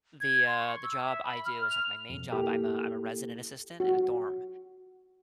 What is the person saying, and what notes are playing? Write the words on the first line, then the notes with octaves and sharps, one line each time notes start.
the, uh the job I do is like my main job, I'm a I'm a resident assistant in a dorm.
G#6
C6
C#6
E6
E5
B5
F6
F7
F2 B2
A#3 E4 G4 A4
F#4